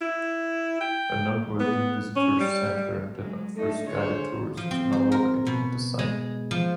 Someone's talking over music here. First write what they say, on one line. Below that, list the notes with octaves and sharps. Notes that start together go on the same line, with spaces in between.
A noteworthy visitors' centre that offers guided tours is now located at the site.
E4
G5
B3
C#4
G3
F#3 G#3
A3 D4 D#4
D3 G#4 C5 C#5
F3
C4
C5
A#4
B2
G#3
F3